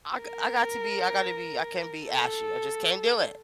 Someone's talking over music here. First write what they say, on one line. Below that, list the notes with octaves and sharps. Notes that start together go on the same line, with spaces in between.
I g I got to be I gotta be I can't be ashy. I just can't do it.
A#4
A4